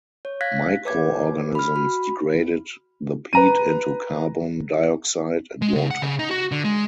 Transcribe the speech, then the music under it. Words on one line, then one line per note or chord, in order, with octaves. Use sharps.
Microorganisms degraded the peat into carbon dioxide and water.
C#5
F5 F#6 G#6 A#6 B6
B4 C#5 D6 G#6
B5 F6
F#4 B5
B4 A#5 D#7
G#3
C#3
F#5
C#3
D#4
F#4
D3
G#3